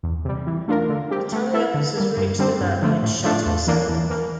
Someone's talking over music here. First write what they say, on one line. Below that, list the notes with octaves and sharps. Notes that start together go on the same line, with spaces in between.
By the time the officers reached the man, he had shot himself.
E2
C3 G3
E3
A3 D4 F4 A#4
D3
G3 C4 G4
A3
E4 A4 E5
D3
G3 A#3
G2
D3 G3 C4
G2
D3 F3 A3
A2
F3 A3 D4 F4
E2
E3 A#3 D4
E2
E3 A#3